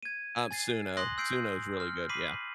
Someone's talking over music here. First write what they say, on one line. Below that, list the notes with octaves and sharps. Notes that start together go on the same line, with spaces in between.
Um, Suno. Suno's really good, yeah.
G#6 D#7
G#5 A6 C7
C6 D#6 F#6 A#6 F#7
E6 G6 C7 D7
F6
B5 D6 B6 C7 D#7 F#7